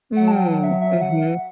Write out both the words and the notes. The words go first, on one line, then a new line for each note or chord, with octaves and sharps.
Mm, mhm.
F#3 F#5
A5
G5
F#5
E5
E5
F#5